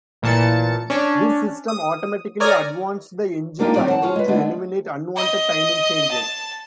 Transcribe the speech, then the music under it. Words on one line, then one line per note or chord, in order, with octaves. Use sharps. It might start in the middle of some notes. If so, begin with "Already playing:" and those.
This system automatically advanced the engine timing to eliminate unwanted timing changes.
A1 A#2 E3 A5 A6 C#7
C#4 D4 C#5 D5
D#6
A#4 C#5 D5 G#5 A#5 D#6
G#3 A#3 D4 D#4 F4 G4
F#3 G3 C4 C#5 D5
F#5 A5
F4 G#4 C5 C#5
G#3 B4
D3 G#3 A3 B3
D#5
A5